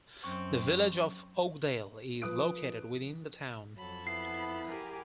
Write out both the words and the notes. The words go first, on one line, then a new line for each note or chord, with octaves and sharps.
The Village of Oakdale is located within the town.
F#2 F#3 C4 C#6
F3 B4 D#6 F#6 D7
F2 F#3 A4 B5
B3 E4 C7
G4 G#4 A#4